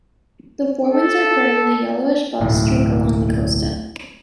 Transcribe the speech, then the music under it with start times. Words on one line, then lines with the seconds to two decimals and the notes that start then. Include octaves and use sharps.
The forewings are grey with a yellowish-buff streak along the costa.
0.90 A4
2.40 D1 B1 A2